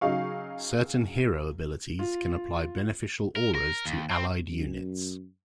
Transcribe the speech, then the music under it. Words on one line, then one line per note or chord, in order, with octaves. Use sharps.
Certain hero abilities can apply beneficial auras to allied units.
C#3 F#3 D#4 G#4 F5 C#6
F4
A#4
A#4
D#2
C4
F#2